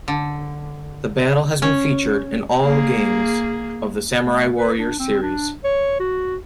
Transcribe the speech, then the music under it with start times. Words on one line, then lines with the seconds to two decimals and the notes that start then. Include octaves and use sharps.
The battle has been featured in all games of the "Samurai Warriors" series.
0.08 D3
1.62 C#4
2.63 A#3 G#4
4.25 A3
4.57 B4
4.79 D4
4.99 C4
5.23 D4
5.64 C#5
6.00 F#4